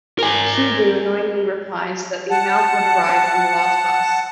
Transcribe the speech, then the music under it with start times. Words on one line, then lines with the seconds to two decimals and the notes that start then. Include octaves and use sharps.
Subbu annoyingly replies that the amount would arrive on the last bus.
0.19 A#4 G#5
2.30 F#5 A5